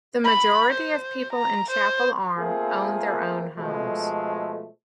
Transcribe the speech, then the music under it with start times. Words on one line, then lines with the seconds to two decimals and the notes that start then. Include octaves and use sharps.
The majority of people in Chapel Arm own their own homes.
0.24 B5
0.73 C5
1.33 A#5
1.71 C5
2.37 A3 A#3 C4 F4 G#4 A#4
3.57 B2 F3 G#3 A3